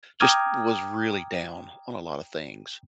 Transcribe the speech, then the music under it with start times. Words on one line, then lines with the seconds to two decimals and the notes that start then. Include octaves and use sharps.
just was really down on a lot of things.
0.20 G5 A#5 D6 D#6 F6 G#6